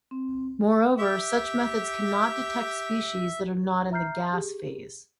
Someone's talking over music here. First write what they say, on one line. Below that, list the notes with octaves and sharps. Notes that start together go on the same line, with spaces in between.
Moreover, such methods cannot detect species that are not in the gas-phase.
C4
G4 E5
E5 A#5 F6 G6 C7
G4 G#4